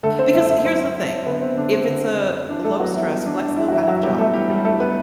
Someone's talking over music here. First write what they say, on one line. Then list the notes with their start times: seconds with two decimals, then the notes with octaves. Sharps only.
because here's the thing, if it's a low-stress, flexible kind of job
0.03 D3 A3 A4
0.19 C4 C5
0.34 F#2 E4 E5
0.49 E4 E5
0.65 F#3 C4 C5
0.96 F#3
1.26 D3 B3 B4
1.42 C4
1.57 D3 D4
1.73 C4
1.88 D3
2.18 F#2
2.49 E3 D4
2.64 A3 A4
2.80 F#3 B3 F#4
2.95 E3 E4
3.10 E3 G3 E4
3.26 D4
3.42 F#2 D4
3.57 E3 E4
3.68 F#4
3.72 F#2 E3 E4
3.83 E4
3.88 F#3 F#4
4.03 G3 B3 G4
4.18 A3 A4
4.34 E3 G3 G4
4.49 G3 G4
4.65 E3 A3 A4
4.80 B3 B4